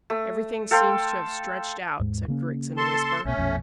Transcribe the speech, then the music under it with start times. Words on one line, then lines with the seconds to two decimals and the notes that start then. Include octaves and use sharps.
"Everything seems to have stretched out," said Griggs, in a whisper.
0.10 A3
0.71 A4 F5 G5 C6
1.99 D#2 G#2 G#3
2.28 C#3 A#3 C#4
2.77 A4 A5 C6
3.25 B1 B2 A3 C#4
3.37 A#1 F2 B2